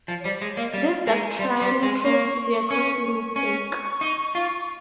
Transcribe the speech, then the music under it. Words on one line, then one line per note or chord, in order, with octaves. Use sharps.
This doctrine proved to be a costly mistake.
F3
C#5
G3 C5
G#3 C#5
A#3 D#5
G3 F5
G#3 G#5
A#5
G#5
G3 C6
G3
G#3
A#3 C#6
C#4
C#4 C#6
D#4
F4